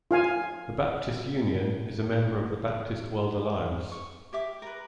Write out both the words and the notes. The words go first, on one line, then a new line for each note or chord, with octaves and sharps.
The Baptist Union is a member of the Baptist World Alliance.
F4 F5 G#5
C#6
G4 E5 D6
A#4 B4